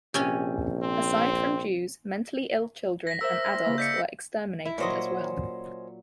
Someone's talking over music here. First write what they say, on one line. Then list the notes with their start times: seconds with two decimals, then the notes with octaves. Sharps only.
Aside from Jews, mentally ill children and adults were exterminated as well.
0.14 A#1 C3 C#4 G#5
0.83 C4
3.07 A#6 B6
3.21 A#4 C5 E5 E6
3.52 E4 C6
3.66 C#3 A#3
3.78 D5 D#5 G6 B6 C#7
4.65 E4
4.78 A#2 F#3 C#4 C5 D#5